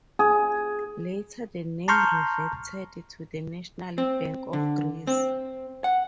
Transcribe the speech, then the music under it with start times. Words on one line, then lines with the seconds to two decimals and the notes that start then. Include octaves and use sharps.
Later the name reverted to the National Bank of Greece.
0.19 G#4
1.88 A5 A#5 C6 C#6 F6 G6
3.98 C4
4.53 D3
5.07 C4
5.84 F#5